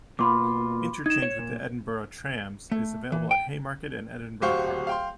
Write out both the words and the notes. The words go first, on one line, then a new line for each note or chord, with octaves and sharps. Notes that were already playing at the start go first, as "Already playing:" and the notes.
Interchange with the Edinburgh Trams is available at Haymarket and Edinburgh Park.
B2 A#3 F4 B5 C6 D6
D#4 G#6 E7
C#5
A#2
A3
E3
G5
D1 F#4 G4 C5 F5 C#6
F5 G5 C6